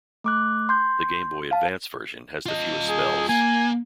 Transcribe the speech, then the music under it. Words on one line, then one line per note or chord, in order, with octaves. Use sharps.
The Game Boy Advance version has the fewest spells.
A3 D6 F#6
C6 G6
F5 A5
F4 D#5
G#4
A#3 G#5